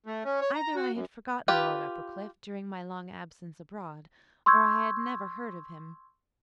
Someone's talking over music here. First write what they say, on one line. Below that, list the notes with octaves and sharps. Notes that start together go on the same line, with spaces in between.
Either I had forgotten Lord Uppercliff, during my long absence abroad, or I had never heard of him.
A3
C#4
C#5
A#5
F#4
F#2
F4 G4 B4
C6 C#6 E6 G6 G#6